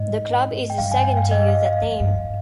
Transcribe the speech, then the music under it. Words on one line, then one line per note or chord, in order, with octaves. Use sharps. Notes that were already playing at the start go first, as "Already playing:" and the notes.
The club is the second to use that name.
Already playing: G#2 D#5
G5
G2 F5
G#5
G5
F5
D#5
F5
F5
F2
G2